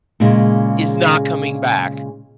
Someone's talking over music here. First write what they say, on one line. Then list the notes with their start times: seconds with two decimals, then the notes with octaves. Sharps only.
is not coming back.
0.20 A#2 C#3 G#3